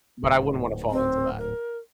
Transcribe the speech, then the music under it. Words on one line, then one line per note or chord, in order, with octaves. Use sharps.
But I wouldn't wanna fall into that.
D1 G#2
C4
A#4